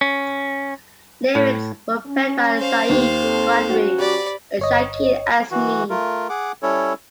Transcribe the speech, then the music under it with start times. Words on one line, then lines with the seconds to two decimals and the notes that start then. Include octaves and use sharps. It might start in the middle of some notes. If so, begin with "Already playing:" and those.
Lyrics were penned by Sayeed Quadri and Shakeel Azmi.
0.01 C#4
1.35 A2
2.06 C#4
2.59 C5 F5
2.89 D#2
3.22 C4 A4
3.69 F#3 C#4 F#4
3.98 G4 D5 B5
4.59 G1 C#5 D#5
5.51 E3 F#4
5.90 A3 F4 A#4
6.29 G#4 F#5 D6
6.63 G3 C#4 E4 A4 C#5